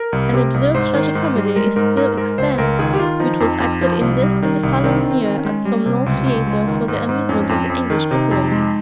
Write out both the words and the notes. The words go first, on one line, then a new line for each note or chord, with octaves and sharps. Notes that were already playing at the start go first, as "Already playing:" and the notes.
An absurd tragicomedy is still extant, which was acted in this and the following year at some low theatre for the amusement of the English populace.
Already playing: A#4
C2
C3
C2
G#2 C5
D#3
G#2
G3
G#3 A#4
G#2 A#4
G#2 A#4
G#3 A#4
C#2 C5
C#2 A#4
D#3 G#4
G4
D#3 F4
F3 D#4
F2
F2
F3
C2
G3
D#3
C2
D#3 C4
D#3
C4
D#3
C#4
G#3
G3
C3
C#2
C#2
G#3
D#3
G#2
G#2
F2 C#4
F2
F2
D#3
C3 D#4
F2
G#3